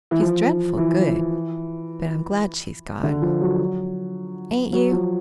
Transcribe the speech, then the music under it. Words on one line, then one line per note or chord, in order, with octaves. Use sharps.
"She's dreadful good; but I'm glad she's gone: ain't you?"
E3
F3
E3
D3
F3
F#3
F#3
F3